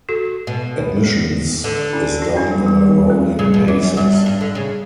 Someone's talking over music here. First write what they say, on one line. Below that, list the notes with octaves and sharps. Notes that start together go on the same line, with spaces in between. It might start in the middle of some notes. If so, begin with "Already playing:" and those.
Admissions is done on a rolling basis.
F#4 A4
B2
D3 B4 D5
C#4 E4
D4 F#4
C#4 E4
G3
G3
G3
A3
C#3 G3
B2
F#2 F#3
F#2
F#2 G3
G2
G2
D3
C#3